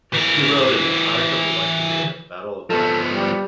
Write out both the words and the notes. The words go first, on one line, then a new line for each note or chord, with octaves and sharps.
He rode in the Charge of the Light Brigade at the Battle of Balaclava.
E3 A#4
F3 B3 A4
G3